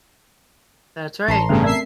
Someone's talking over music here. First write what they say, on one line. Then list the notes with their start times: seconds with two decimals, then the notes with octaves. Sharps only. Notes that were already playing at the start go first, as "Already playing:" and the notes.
That's right.
1.28 A1 A5 A#5 C6 C#6
1.49 G2 C#3 A3 B3 A4
1.64 C4 A#4 D5 E5 C7